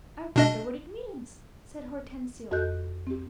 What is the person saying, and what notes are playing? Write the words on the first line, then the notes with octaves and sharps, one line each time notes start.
"I wonder what it means," said Hortensio.
B2 D4 D#5
F2 F#4 A4 D#5 F#6 G6
C4 G4